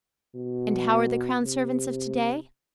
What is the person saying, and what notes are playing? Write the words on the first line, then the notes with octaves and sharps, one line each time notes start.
And how are the crown servants of to-day?
B2
C3